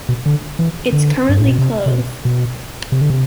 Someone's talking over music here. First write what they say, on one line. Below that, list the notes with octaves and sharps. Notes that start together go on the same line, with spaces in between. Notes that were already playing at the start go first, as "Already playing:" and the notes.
It’s currently closed.
B2
D3
E3
D3
G2
A2
B2
C3
C3
B2
B2
C3
D3
C3